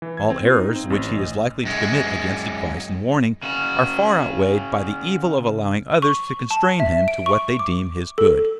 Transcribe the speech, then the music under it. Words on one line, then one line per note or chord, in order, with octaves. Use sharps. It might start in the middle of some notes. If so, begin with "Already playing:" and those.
All errors which he is likely to commit against advice and warning, are far outweighed by the evil of allowing others to constrain him to what they deem his good.
E3
G#6
C4
F4
D#4
C4
A1
D#5
F#2 G#3
C#3 F#4
C#6
A5
E5
D7
C#6
D6
A4